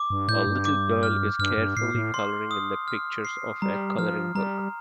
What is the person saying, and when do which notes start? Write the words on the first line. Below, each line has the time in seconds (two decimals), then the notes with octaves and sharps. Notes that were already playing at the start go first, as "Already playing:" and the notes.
A little girl is carefully coloring in the pictures of a coloring book.
Already playing: D6
0.10 G2
0.28 A2 G6
0.47 G2
0.65 D6
1.03 F6
1.39 G2 F6
1.58 G2
1.77 A2 C7
1.95 A2
2.14 C6
2.51 D#6
2.88 F6
3.25 C7
3.62 G3 A#5
3.98 F3 F6
4.35 G3 A#5